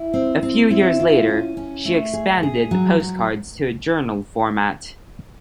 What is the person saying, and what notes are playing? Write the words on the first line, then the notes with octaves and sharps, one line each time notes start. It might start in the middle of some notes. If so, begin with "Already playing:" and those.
A few years later, she expanded the postcards to a journal format.
Already playing: E4
C4
C4
E4
F4
C#4
C#4
A3
G#4
G#4
F#3
F#3